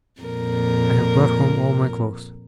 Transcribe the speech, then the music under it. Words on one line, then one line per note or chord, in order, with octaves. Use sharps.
I have brought home all my clothes.'
F2 A#2 A#4